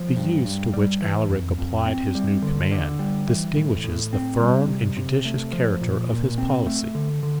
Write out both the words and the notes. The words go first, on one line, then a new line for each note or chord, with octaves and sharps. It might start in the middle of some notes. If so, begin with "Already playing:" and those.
The use to which Alaric applied his new command, distinguishes the firm and judicious character of his policy.
Already playing: F3
G2
G2
G3
E3
F2
F2
C4
G3
D3
D3
G3
E3
A2
A2
C4
G3
C3
C3
A3
F3
A#2
A#2
C4
A3
D3
D3